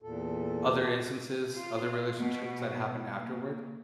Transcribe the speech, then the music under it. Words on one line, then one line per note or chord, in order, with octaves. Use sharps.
other instances, other relationships that happened afterward.
E2 A#2 A4
F4
B2
A#3